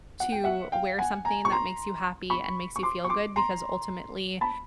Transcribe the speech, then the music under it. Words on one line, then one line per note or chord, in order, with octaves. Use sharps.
to wear something that makes you happy and makes you feel good because ultimately
F#5
G5
E5 F#5
F5 G5
F#5 G#5
G#5 A#5
C#6
A#5 C6
B5 C#6
C#6
C6 D6
C#6
C6 D6
A#5 C6
A5 B5